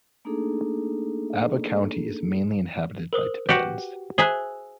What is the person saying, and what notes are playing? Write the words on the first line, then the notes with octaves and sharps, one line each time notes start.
Aba County is mainly inhabited by Tibetans.
A3 A#3 D4 D#4 G#4 A4
A#4 C5 D#6
F#4 G4 B4
G#4 C5 E5 A#5 F#6